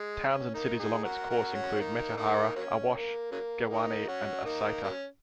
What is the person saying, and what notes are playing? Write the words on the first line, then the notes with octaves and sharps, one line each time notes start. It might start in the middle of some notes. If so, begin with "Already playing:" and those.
Towns and cities along its course include Metehara, Awash, Gewane and Asaita.
Already playing: G#3
C#4
A#3 D#4
D#4 G#4
F#4 A#4
F#4 A#4
C#4 F#4
C#4
A#3 D#4
A#3 D#4
F#3 A#3 C#4
A#3
C#3 F#3 A#3
A#3 D#4
C#4 F#4
A#3 D#4
F#3 A#3 C#4